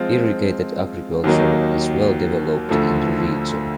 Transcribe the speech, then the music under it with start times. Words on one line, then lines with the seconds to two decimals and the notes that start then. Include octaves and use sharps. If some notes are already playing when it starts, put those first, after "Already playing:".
Irrigated agriculture is well developed in the region.
Already playing: F3 G#3 C4 F4
1.24 D#2 D#3 F#3 A#3 D#4
2.69 D2 D3 F3 A3